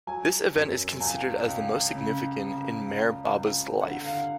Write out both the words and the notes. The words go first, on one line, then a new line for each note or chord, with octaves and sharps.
This event is considered as the most significant in Meher Baba's life.
F#3 G#5
F#2
C#2 G#5
C#2
C#3
C#3
C#2
C#2
D3 F#5
F5